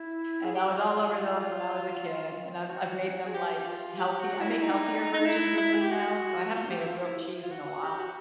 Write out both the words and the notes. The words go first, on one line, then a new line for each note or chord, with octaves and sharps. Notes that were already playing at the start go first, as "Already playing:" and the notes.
And I was all over those when I was a kid and I've I've made them like healthy. I make healthier versions of them now, though I haven't made a grilled cheese in a while.
Already playing: E4
G#4
G4
F#4
F4
F#4
G#4
G4
F4
G4
F#4
E4
D#4
D#4
E4
E4
G#4
G4
F#4
F4
G4
E4
F4
E4
F4
F#4
G4
F#4